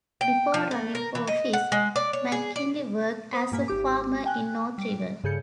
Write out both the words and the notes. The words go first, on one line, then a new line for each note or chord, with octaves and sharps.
Before running for office, MacKinley worked as a farmer in North River.
G5
F3
A3
A#4
E3
D#5
F#5
G#3
D5
C#5
G#4
D5
C5 D#6
G2 A#2 A#3 G#5 B6
G#1 G4 D6
G5 G#5 F#6
G3 D7
G2 C#3 G#4 A4 G6 C#7